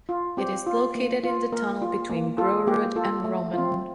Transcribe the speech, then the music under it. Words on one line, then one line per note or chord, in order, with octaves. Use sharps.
It is located in the tunnel between Grorud and Rommen.
F4
C4 G4
F4
A#3
F4
A#3 A#4
F4
A#3
F4 A4
A#3 G4
F4 A4
A3
C4 F4